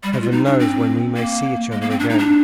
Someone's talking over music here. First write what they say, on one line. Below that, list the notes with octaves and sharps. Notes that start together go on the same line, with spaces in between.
Heaven knows when we may see each other again.
G3
G#3
F4
D#4
D4
C4
A#3
G#3
A#3
C4
D4
D#4
D4